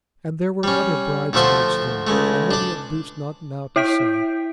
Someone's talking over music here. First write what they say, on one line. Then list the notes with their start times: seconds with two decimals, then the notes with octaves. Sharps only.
And there were other bridesmaids there; how many it boots not now to say.
0.63 G3 C#4
1.33 D2 F3 A3 F#4 E5 C6
2.07 C#2 G#3 A3
2.51 D4 D5
3.76 E4 E5 G5 G6 B6 D7